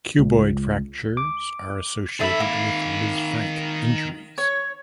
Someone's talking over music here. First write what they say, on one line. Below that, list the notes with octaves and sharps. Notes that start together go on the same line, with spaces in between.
Cuboid fractures are associated with Lisfranc injuries.
C#2
D6
D#3 A4 E5 B5
A#3
C#5